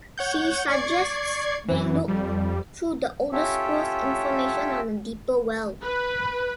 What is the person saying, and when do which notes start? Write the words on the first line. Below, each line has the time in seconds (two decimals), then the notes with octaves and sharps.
She suggests they look through the oldest scrolls for information on the Deeper Well.
0.18 C#5 F#5 G6
0.69 D5 C#6 G#6 C7
1.68 F#2 E3
2.08 F2 G3
3.32 C#4 F4 G4 A4 C#5 E5
5.82 B4